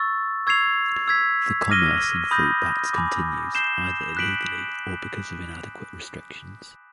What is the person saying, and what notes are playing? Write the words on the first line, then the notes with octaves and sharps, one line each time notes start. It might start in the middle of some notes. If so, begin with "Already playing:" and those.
The commerce in fruit bats continues either illegally or because of inadequate restrictions.
Already playing: C#6 E6 A6
C#6 E6 G#6 C7 F7
E6 G#6 B6
D6 F6 A#6 D#7 G7
B5 D#6 G6 A#6
G#5 B5 D6
G6 C7 E7 G7
F#6 B6 D7 F#7